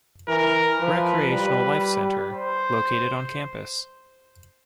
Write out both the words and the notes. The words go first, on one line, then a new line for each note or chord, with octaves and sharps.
Recreational Life Center, located on campus.
E3 A#4
F3 B4
G3
C5